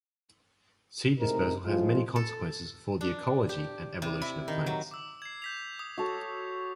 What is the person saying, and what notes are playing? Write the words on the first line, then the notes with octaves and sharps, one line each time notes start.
Seed dispersal has many consequences for the ecology and evolution of plants.
A2 C3 G#3 D#4 A#4
A2 F3 G#3 F4
A4
D4
G4
C3
E4
D#3
F#3
D6 E6
G#6 C7
G6 B6 F7
D#6
F#4 A4 C#5